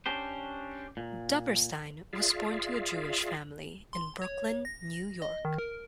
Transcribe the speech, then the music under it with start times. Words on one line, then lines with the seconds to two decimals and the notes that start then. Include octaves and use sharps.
Duberstein was born to a Jewish family, in Brooklyn, New York.
0.06 C#4 D4 G4 C5
0.97 A#2
2.13 F4 G#4 D5 E5 F5
3.93 C6
4.22 C#5
4.65 A#6
5.22 D#5
5.45 D#3
5.58 A#4